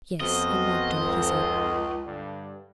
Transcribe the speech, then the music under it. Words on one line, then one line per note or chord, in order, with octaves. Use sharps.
"Yes, I'd like to," he said.
F2 B3 C4 F4 F#4 D#5
C#2 G#2 F4
G2 D3